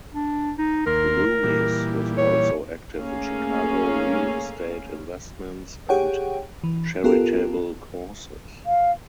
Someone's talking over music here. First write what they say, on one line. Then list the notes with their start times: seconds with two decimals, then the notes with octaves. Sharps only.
Loomis was also active in Chicago real estate investments and charitable causes.
0.14 D4
0.58 D#4
0.86 D#2 A#3 A#4 C6
1.43 A#2 E3 G3
2.18 C#5
2.96 A3 A#3 C#4 G#4 F5
5.89 G4 G#4 C#5 F#5 G5
6.64 E3
7.04 B3 F4 G4 A4 A#4
8.66 F5